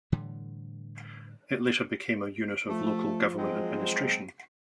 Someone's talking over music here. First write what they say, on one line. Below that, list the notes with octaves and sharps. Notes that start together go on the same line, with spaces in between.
It later became a unit of local government administration.
A2 D3 E3 G3
F3 A3
F#3 G#3 C4